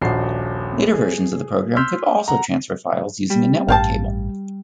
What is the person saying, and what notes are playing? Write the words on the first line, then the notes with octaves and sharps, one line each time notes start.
Later versions of the program could also transfer files using a network cable.
D#1 A#1 F#4 C7
G#4
C6 E6 F6 G6 B6
F#5 A#5
G3
A1 G2 F5 G5 A5